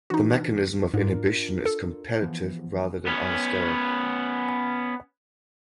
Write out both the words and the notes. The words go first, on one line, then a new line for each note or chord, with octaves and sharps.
The mechanism of inhibition is competitive rather than allosteric.
E3 D4 D#4 F#4
G#2 D4 F4 A#4
A4
E3 F3 B3
B3 C#4